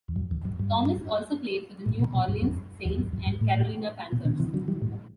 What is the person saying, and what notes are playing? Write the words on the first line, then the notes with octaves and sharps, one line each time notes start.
Thomas also played for the New Orleans Saints and Carolina Panthers.
E2
F#2
E2
F#2
G2
A2
B2
B2
G2
F#2
E2
F#2
F#2
G2
A2
B2
B2 D3
C3 E3
D3 F#3
E3 G3
A2